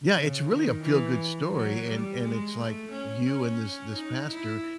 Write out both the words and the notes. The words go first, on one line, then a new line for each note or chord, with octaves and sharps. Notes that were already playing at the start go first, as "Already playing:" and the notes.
Yeah, it's really a feel-good story, and and it's like you and this this pastor,
C#3
D#3
E3
F#3
G3
G#3
A3
C#4
C#4
D#4
E4